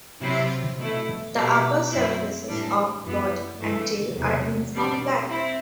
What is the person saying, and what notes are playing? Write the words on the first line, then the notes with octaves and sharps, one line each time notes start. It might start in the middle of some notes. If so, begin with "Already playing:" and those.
The upper surfaces of body and tail are uniform black.
C3 F#3 C4 E4
B2 A3 E4
B2 G3 B3 E4
F#2 F#3 C4 E4
A2 E3 G3 D4
F#2 E3 B3
G2 E3 A3
E2 C3 F#3
B2 G3 D4
C4 E4